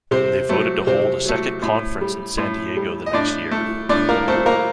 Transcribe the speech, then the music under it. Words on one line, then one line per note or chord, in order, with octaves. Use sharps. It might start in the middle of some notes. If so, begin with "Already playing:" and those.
They voted to hold a second conference in San Diego the next year.
C3 C4 C5
F#3 A3
C3 C4 C5
F#3 A3
A2
G3
A2
G3
D#5
A2 D4 D5
A3
A2 D4 D5
A#3 A#4
A3 C4 C5
A#3 A#4